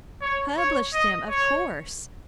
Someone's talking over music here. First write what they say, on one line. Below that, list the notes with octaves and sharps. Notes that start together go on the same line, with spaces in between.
"Publish them, of course."
C#5
C#5
D#5
C#5